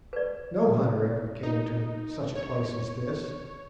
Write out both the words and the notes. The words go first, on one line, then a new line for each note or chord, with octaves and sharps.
No hunter ever came to such a place as this.
B4 D5
D#4
C#5